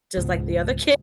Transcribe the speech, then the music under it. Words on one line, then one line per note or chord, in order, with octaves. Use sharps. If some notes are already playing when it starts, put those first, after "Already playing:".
just like the other ki
C#2 G#2 B2